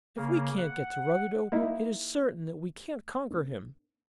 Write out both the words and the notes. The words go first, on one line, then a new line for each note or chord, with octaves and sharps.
"If we can't get to Ruggedo, it is certain that we can't conquer him."
C#3 A#3
F#5
A#3 D#4 E4